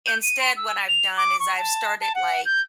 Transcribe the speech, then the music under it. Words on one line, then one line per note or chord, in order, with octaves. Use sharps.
instead what I've done is I've started, like
G6
D#7
C6
E6
F7
D6
C#6
A5
A5
F#5
G6